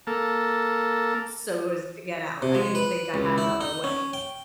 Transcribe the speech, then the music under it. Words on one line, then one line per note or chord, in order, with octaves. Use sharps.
so as to get out. I didn't think I had another way,
A#3 A4
C3
G#3
B4
C#2
E4
D#4
C#4
G5